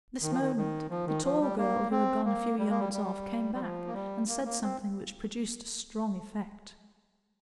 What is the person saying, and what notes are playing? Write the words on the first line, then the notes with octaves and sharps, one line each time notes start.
At this moment the tall girl, who had gone a few yards off, came back, and said something which produced a strong effect.
D#3
F3
D#3
D#3
F3
D#3
F3
G3
A#3
C4
A#3
G3
A#3
G3
G3
G3
F3
A#3
G3
A#3
A#3
C4